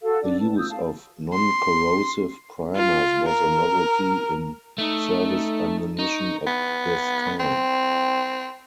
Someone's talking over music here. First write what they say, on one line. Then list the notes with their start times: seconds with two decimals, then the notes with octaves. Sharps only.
The use of non-corrosive primers was a novelty in service ammunition at this time.
0.02 F#4 A4 F5 E6
0.22 D4 D5
0.39 B4 A5
0.57 F4 D#6 E6 G6
0.69 F5 A5
0.83 A5
1.33 C6
2.76 F4
3.28 A#4
4.78 A3 D#4
5.21 D#4 A4
5.99 D#4 A#5 C#6
6.47 B3
7.40 C4